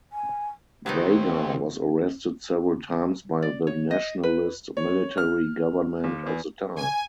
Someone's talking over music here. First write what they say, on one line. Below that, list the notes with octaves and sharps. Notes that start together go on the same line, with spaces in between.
Braga was arrested several times by the Nationalist military government of the time.
G#5
D#2 F#3 B3 C4 D#4 G4
D5
C#5
D#5
B4
C#5
F6
D#2
E2
G#5